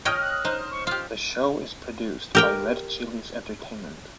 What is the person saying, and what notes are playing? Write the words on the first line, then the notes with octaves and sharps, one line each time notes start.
The show is produced by Red Chilies Entertainment.
C#5 D#5 G5 D#6 F6 A#6
F#6
D#4 C5
C#6
F4 G4 F6
G4 A#4 G5